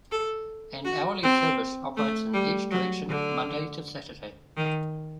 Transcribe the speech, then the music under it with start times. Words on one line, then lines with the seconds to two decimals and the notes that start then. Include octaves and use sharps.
An hourly service operates in each direction Monday-Saturday.
0.12 A4
0.85 F#4
1.23 C4
1.97 A3
2.34 G3
2.72 F#3
3.09 D3
4.57 D#3